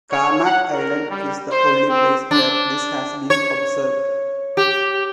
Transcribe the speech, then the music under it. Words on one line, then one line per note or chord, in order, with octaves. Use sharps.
Carnac Island is the only place where this has been observed.
C#5
F#5
A#4
G3
C5
C4
D4
C#5
G4